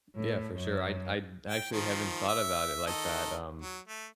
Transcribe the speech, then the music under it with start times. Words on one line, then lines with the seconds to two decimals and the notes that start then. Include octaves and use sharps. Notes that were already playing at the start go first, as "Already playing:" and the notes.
Yeah, for sure. I I actually haven't thought about it like that, um,
0.16 A2
0.56 F#2
1.50 G5
1.72 D#3 F3
2.28 E5
2.87 D#3 A4 D#5
3.61 F#3
3.88 A3